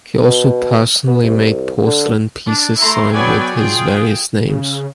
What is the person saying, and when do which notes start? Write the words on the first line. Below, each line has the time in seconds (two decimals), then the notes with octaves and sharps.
He also personally made porcelain pieces signed with his various names.
0.25 B2
1.07 B3
1.23 C2
1.86 D3
2.45 D4
2.79 A3 E4 A#5 C6
3.13 F#3 B3 B4 D5 G5 G#5
3.55 F4 G#4 G5
4.48 C#3